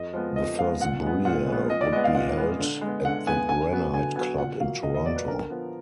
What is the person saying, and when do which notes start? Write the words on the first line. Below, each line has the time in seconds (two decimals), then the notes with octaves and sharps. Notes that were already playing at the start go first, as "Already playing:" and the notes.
The first Brier would be held at the Granite Club in Toronto.
Already playing: F2 D#5
0.13 F3 G#3 B3
0.36 F2 D#5
0.58 F3 G#3 B3 F5
0.80 A#2 F#5
1.03 G#3 B3
1.25 A#2 F#5
1.47 G#3 B3
1.70 A#2 D#5
1.81 D5
1.92 G#3 B3 D#5
2.04 F5
2.15 A#2 F#5
2.37 G#3 B3
2.60 D3
2.81 G#3
2.87 B3
3.05 D3 F#5
3.26 G#3 B3 G#5
3.49 D3 G#5
3.71 F#3 B3
3.93 D3 G#5
4.16 F#3 B3 G#5
4.38 A#2 F#5
4.60 F#3 A#3 F5
4.83 A#2 D#5
4.94 D#5
5.06 F#3 A#3 D5
5.16 B4
5.28 D3 A#4
5.50 F3 B3